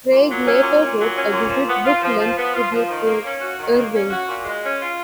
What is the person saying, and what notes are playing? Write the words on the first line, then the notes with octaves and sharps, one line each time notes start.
Craig later wrote a vivid, book-length tribute to Irving.
A#2
F#3
C#4
A#2
A#2
F#3
C#4
A#2
F3
B3
F4
F3
F3
B3
F4
F3
D#3
A#3
C#4
F#4
D#3
A#3
C#4
F#4
A#2
G#3
C#4
F4